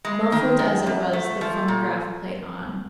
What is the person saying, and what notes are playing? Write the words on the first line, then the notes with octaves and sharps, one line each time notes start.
Muffled as it was, the phonograph played on.
G#3
D#3
F#2
F#2
A3
F3
A#2